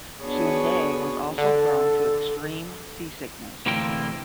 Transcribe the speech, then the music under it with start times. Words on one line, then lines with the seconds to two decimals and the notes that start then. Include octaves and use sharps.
Sunde was also prone to extreme seasickness.
0.23 B3 D4 F#4 G#4 B4 C#5
1.38 D3 A4
3.66 D2 A2 C3 E3 A#3 G5